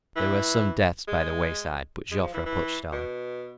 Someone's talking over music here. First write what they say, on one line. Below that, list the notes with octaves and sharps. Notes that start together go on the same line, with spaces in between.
There were some deaths by the wayside, but Joffre pushed on.
E3
G#3
G#3
F3
E3
E3
B2